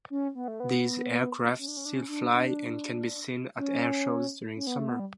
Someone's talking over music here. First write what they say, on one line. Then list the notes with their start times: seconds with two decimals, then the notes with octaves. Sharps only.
These aircraft still fly and can be seen at air shows during summer.
0.10 C#4
0.35 B3
0.48 A3
0.60 B3
1.58 C#4
1.68 D4
1.77 C#4
1.85 D4
1.94 C#4
2.08 D4
2.33 D4
3.57 C#4
4.56 C#4
4.67 B3
4.78 A3
4.89 B3
5.00 G3